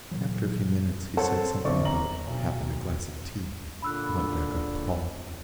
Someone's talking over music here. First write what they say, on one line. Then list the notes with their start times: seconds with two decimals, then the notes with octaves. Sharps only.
After a few minutes he said something about having a glass of tea and went back up the hall.
0.11 A#2 D#3 E3 F#3
1.17 C4 A4 C5 C#5 F#5 A5
1.64 D1 G1 D3 C4 D5 C#6
1.85 A#5 F#7
2.27 B1
3.82 A#2 D3 D4 B5 E6 F#6